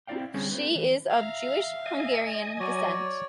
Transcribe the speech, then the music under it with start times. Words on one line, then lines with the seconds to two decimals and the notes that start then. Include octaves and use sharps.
She is of Jewish Hungarian descent.
0.07 C4 E4 F#4 D5 F5 G5
0.34 D3 G3 C4 C#4 G#4
0.51 A3 C4 B4
0.75 E3
1.10 E5 F5 A#5
1.86 D#5 G#5
2.60 F#3 C#5 D5